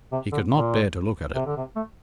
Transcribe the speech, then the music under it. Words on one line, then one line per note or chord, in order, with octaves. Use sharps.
He could not bear to look at it.
C3
D3
A#2
C3
D3
C3
A3